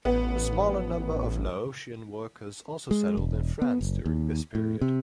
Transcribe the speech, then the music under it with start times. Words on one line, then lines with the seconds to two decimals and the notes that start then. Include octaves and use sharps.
A smaller number of Laotian workers also settled in France during this period.
0.05 A1 B3
2.91 G#3
3.17 E1
3.62 B3
3.81 F#1
4.06 D#2
4.55 A2
4.81 C3